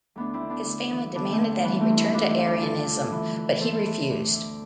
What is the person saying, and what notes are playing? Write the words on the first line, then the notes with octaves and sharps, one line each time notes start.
His family demanded that he return to Arianism, but he refused.
D2 B3 D4
C4 E4
D3
B3 D4
D2
E3
D3 B3 D4
A3 C4
E2
E3 G3 B3
A3 C4
G2
C4 E4
E3 D4 F4
C4 E4
D2
D4 F4
D3 F4 A4
D3
E3
E3
E2 A4 C5
E3
D2
D3